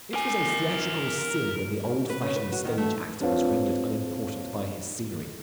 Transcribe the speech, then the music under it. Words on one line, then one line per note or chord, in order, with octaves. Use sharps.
It was a theatrical sin when the old-fashioned stage actor was rendered unimportant by his scenery.
A#4 G#5
B4
C#3
B4
F#4
D#3
A3
C4 D4 F4 B4 C#5 F5